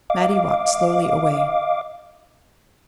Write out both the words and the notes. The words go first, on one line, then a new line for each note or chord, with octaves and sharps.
Mattie walked slowly away.
D#5 F5 D6